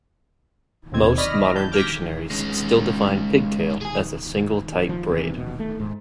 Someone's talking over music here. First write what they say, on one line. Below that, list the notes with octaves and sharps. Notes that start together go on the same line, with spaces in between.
Most modern dictionaries still define "pigtail" as a single tight braid.
D#2 B2 C4 G#6
D5 D#5 B5 C#6 F6 A#6
A5 G6
D6 F6 G6 G#6 A#6 B6
G#3 C#4
G#4 G#5
F3
E2 C3 E3
D#1 G#1 B2
A3
G#2